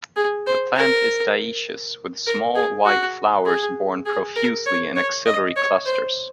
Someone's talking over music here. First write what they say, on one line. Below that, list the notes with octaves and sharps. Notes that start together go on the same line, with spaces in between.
The plant is dioecious, with small white flowers borne profusely in axillary clusters.
G#4
C5
A#4
A#4
G#4
F#4
G#4
G#4
A#4
C#5
C#5
D#5
C#5
C5